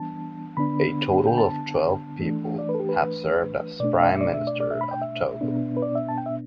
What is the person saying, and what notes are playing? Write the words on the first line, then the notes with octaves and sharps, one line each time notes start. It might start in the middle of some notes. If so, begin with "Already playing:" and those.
A total of twelve people have served as Prime Minister of Togo.
Already playing: E3 G3 B3 D4 A5
D3 B3 D4 B5
G5
A5
E3 A3 D4
D5
B4
A4
G4
B4
B2 A3 D4 D5
E5
D5
E5
D5
E5
D5
D5
E5
B5
G5
E5
B2 B3 D4
B4
D5
E5
A5
G5
E5